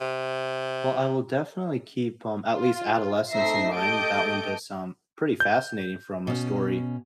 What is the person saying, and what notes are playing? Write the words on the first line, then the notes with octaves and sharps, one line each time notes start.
Well, I will definitely keep, um, at least Adolescence in mind, that one does sound pretty fascinating from a story
C3
F4
A3 C4 D#4 E5 A#6 C7
A3 G4 A4 D#5 G6 D7
G6
B2 C#4